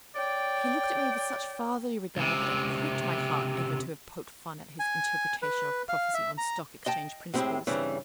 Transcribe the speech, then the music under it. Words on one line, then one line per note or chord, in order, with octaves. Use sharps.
He looked at me with such fatherly regard that it pricked my heart ever to have poked fun at his Interpretation of Prophecy on Stock Exchange principles.
C#5 D5 G5
C#2 C3
G#5
B4
F5
E5
A#5
D#5 G5 A5
A2 G#3 C4 C#4 E4 G4
G2 C#3 E3 C4